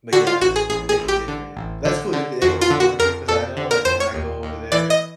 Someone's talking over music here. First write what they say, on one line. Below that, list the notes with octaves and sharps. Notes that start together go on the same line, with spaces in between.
but, yeah, they make it different. That's cool. Did anyone warn you? 'Cause I know, like, when I go over there,
D3 F#4
F4
A1 F#4
G#4
A1 G#4
G#4
A1
G4
D3
A1
D3
D3
F2 F#4
F4
D3
F#4
F2 A#4
F2 A4
D3
A#4
F2 C5
C#5
D#2
D#2
E3 D5
D#5